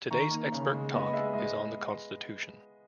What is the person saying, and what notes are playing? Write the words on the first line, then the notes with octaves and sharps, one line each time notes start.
Today's expert talk is on the constitution.
D#3 A#5 C#6
A#3
C#3
G#3
B3 D#5
G#3 E5
G#3 D#5